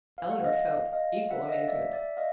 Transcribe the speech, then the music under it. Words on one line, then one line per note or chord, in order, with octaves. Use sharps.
Elinor felt equal amazement.
F5
F#5
D#5 F5
D#5 F5
E5 F#5
D#5 F5
D5 E5
D5 E5
D#5 F5